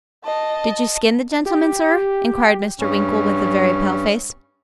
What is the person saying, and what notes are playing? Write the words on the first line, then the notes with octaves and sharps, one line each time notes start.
'Did you skin the gentleman, Sir?' inquired Mr. Winkle, with a very pale face.
D#5 A5
G4
G2 C#4